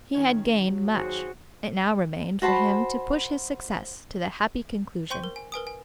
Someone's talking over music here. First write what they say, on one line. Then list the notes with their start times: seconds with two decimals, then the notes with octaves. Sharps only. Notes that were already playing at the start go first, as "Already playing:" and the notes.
He had gained much; it now remained for him to push his success to the happy conclusion.
0.15 D#3 C#4 C#5
0.57 F#3
0.94 D#2 F#4 G#4 C5
2.42 F#4 C5 A5 B5
5.10 C5 G5 C6 C#6 G6 D#7
5.24 A#4
5.36 G#5
5.52 A#4 B4 G#5 D#6
5.67 G#5